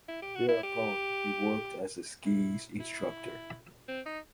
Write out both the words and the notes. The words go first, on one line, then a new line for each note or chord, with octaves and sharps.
Thereupon, he worked as a ski instructor.
E4
G4
F#4
E4
G4
E4
E4
C4
D#4